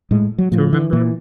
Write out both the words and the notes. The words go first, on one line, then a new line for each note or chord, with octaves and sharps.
to remember,
A2 G#3
F#3
A2 F3
E3
A#2 E3